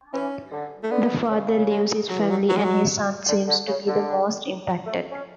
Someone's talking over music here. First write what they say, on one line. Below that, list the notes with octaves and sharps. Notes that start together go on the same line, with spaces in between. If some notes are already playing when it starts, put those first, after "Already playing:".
The father leaves his family and his son seems to be the most impacted.
E3 C#4
D3
A3
D3 B3
C#3
G#3
F#3
E3
F#3
F#3
G#3
F#3
D3
D3
C#3
D3
A3
C#4